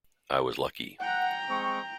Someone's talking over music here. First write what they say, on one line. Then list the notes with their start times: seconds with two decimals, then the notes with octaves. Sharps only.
I was lucky.
1.00 F#5 G5 A#5
1.50 G#3 C4 C#6